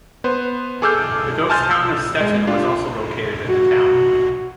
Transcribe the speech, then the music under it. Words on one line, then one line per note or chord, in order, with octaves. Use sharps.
The ghost town of Stettin was also located in the town.
B3 B4 C5
G#4 A4 D6 E6 F6 G6
G#5 A5 C6 F6 G6 A6
E6
G#3
D4 F4 G4
F#4